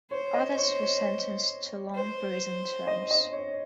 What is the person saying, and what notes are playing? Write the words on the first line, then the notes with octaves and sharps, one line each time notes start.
Others were sentenced to long prison terms.
C5 C#5
D#5
C#5
C#5
C5
D#5
D#5
C#5